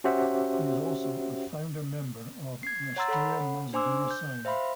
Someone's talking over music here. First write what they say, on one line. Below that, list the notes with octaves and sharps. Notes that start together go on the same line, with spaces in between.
He is also founder member of Rashtriya Mazdoor Sangh.
C#4 F#4 G4 C5 E5 F#5
G#6 C7
C#5 F#5 A#5 C6 E6 A6
A4 C#5 F#5 B5
D4 C5 G#5 C6 D6 E6
G6
C5 E5 F5 B5 C6